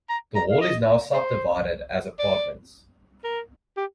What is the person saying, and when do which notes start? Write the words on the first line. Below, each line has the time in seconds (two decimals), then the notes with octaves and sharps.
The hall is now subdivided as apartments.
0.10 A#5
0.36 A#5
0.51 F5
0.61 D#5
1.14 C5
2.19 D5
3.24 A#4
3.77 G4